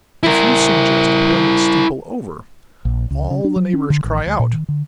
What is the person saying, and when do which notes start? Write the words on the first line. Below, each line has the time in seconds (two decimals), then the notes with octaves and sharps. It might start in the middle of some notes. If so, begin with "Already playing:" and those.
If you suggest pulling the steeple over, all the neighbors cry out.
0.23 E4 A#4
2.85 A#1
3.11 C#2
3.30 C#3
3.44 D4
3.56 F#3
3.74 C#4
3.90 D3
4.04 A1
4.26 D2
4.39 A#2
4.53 D#3
4.69 D3